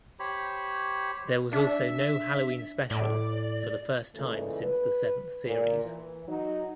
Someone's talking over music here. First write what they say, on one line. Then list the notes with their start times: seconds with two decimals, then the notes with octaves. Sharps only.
There was also no Halloween Special for the first time since the seventh series.
0.20 G4 C5 C#5 B5
1.53 D4 E5
2.91 A2 D5
4.15 A#2 C#3 E3 G#3 A3
4.63 B4
5.46 A#2
5.85 E3
6.28 F#3 D#4